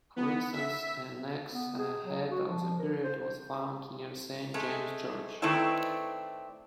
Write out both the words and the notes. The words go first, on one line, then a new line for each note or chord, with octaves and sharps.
For instance an axe head of the period was found near Saint James' Church.
B3
E5 B6
B3
G#4
F#3
F#4
F3
A#4
C5
G#3 A3
D#3 A3 B3 C4 D4 E4